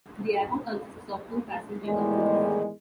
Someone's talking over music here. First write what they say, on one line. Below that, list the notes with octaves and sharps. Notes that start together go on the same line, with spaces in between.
The airport consists of two passenger terminals.
E2 A2 D#3 G3 G#3